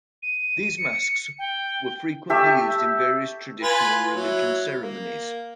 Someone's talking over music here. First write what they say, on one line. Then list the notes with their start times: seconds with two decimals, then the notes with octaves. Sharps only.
These masks were frequently used in various Traditional Religion ceremonies.
0.23 D#7
0.78 C#7
1.39 G5
2.30 G4 A4 E5 C#6
3.62 F4 B4 G#5
4.15 F#3 E4
4.79 A#3